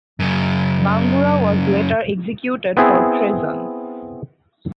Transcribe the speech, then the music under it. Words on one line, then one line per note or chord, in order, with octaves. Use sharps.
Bangura was later executed for treason.
F#2 C#3
B3 C4 E4 G#4